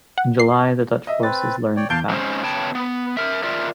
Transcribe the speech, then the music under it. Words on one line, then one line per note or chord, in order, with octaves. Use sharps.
In July, the Dutch forces learned the facts.
F#5
C7
D#5 E5
C4 B4 A6
C#5 D5 G5
E2 F5 A5 G6 D7
G#3 C4 C#4 D#4 C5
C#3 B3 C#5 G5 A5
B3
A#4 E5
F4 A#4 D5 E5